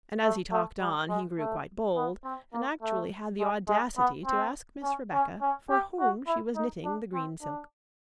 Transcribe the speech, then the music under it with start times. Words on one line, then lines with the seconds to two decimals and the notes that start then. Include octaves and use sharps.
And as he talked on, he grew quite bold, and actually had the audacity to ask Miss Rebecca for whom she was knitting the green silk purse?
0.23 A3
0.52 A3
0.81 G3
1.09 G#3
1.39 A3
1.96 B3
2.24 C4
2.53 A#3
2.82 A3
3.40 G#3
3.68 G#3
3.98 B3
4.26 C4
4.83 C#4
5.13 C#4
5.42 C#4
5.70 G4
5.99 F#4
6.27 E4
6.56 D#4
6.85 D4
7.14 C4
7.43 D4